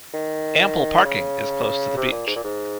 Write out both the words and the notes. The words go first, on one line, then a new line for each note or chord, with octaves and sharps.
Ample parking is close to the beach.
D#3
C#3
C3
A#2
G#2
A#2
G#2